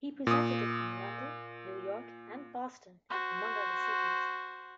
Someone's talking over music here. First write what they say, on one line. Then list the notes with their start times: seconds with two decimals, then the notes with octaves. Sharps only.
He presented it in London, New York, and Boston, among other cities.
0.27 A#2 D#6
3.10 F#4 C5